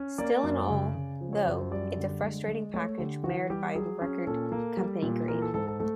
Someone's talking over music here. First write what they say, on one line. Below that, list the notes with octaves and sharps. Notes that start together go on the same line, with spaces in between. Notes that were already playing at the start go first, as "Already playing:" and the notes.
Still and all, though, it's a frustrating package marred by record company greed.
Already playing: C#4
A#3 D5
F#2
C#3
C#3
F3
C#5
F#2 C5
C5
G3 D5
D3
G#3
G#3
A3 C#5
D3 G4
E3 F#4
G3 G4
F#3 G#4
C#4
A#2 A4
A#3
G3
A#2
E3 A#4
A4
G#2 A4
A4
A3 A4